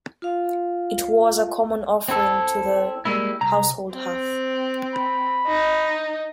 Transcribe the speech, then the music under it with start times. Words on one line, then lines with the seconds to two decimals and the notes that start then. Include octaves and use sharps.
It was a common offering to the household hearth.
0.22 F4 F5
2.08 C4 E4 A4
3.05 G3 G#3 A#3 E4
3.41 C2 A#5
3.95 C4
4.94 B5
5.47 D#4